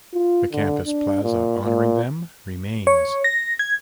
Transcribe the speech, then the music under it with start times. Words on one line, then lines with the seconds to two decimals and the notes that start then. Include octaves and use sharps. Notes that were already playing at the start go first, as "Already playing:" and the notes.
The campus plaza honoring them remains.
0.13 F4
0.52 D3
0.87 D4
1.23 A#2
1.65 A#2
2.87 C#5
3.24 A#6
3.59 G#6